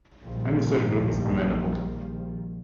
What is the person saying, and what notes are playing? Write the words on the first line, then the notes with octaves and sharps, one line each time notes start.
Any such group is amenable.
A#1 D#3 F3 G3